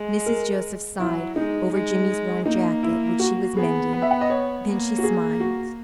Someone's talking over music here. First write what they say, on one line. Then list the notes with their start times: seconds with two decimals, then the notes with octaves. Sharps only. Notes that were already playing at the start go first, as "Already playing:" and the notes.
Mrs. Joseph sighed over Jimmy's worn jacket which she was mending. Then she smiled.
Already playing: G#3
0.26 A#4
0.99 F#3 E4
1.36 G#3 D#4
1.73 G#3
2.46 A#3 D#4
2.83 E4
3.20 F#4
3.56 B3 G#4
3.93 B4
4.02 E5
4.11 F#5
4.21 D#5
4.30 C#5
4.67 A#3
4.98 F#4
5.04 G#4
5.40 F#4